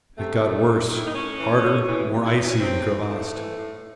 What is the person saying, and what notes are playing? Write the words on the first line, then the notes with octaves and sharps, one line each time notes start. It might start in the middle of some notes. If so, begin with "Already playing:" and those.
It got worse, harder, more icy and crevassed.
C3 A3
D#3
C3
D#3
E4
D#4
A2 C#4
E3
A2
E3
C3
E4
E3 D#4
C#4
C3 C4
E3
A2 A3
E3
A2